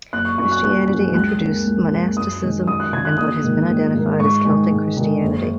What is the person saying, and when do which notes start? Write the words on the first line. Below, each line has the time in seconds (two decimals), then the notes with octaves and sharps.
Christianity introduced monasticism and what has been identified as Celtic Christianity.
0.13 F#1 F#6
0.25 C#6
0.38 F#2 F#3 C#4 C#6
0.51 F#6
0.64 F#1 F#6
0.89 F#2 F#3 C#4
1.14 C#2 F#6
1.40 C#3 A#3 C#4
1.66 C#2
1.91 C#3 A#3 C#4
2.17 F#2 D#6
2.42 D#3 G#3 C#4
2.67 F#2 D#6
2.80 F#6
2.93 D#3 G#3 C#4 G#6
3.05 F#6
3.18 A#1 D#6
3.43 G#2 D#3 A#3
3.69 A#1
3.94 G#2 D#3 A#3
4.20 G#2 C#6
4.45 D#3 G#3
4.71 G#2
4.97 D#3 G#3
5.21 F#1